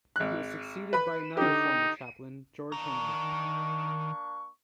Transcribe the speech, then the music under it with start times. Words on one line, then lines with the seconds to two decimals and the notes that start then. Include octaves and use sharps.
He was succeeded by another former Chaplain, George Henry.
0.16 G#1 F#6
0.93 B4 B5
1.37 D3 D#4 G4
2.72 D#3 A#3 D4 A#5 C#6